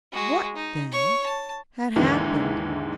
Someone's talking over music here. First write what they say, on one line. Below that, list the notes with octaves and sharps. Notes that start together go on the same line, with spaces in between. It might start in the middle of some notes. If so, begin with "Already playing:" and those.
What then had happened?
G#3 F#4
D#4
C#5 C#6
A5
D#2 G#2 D3 E3 G#3